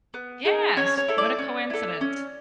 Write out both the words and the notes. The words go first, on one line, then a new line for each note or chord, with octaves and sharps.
Yes, what a coincidence.
B3
D#4 G#4
C#4 C#5
C#5
E4 A4
D5
C#4
E4 A4
C#4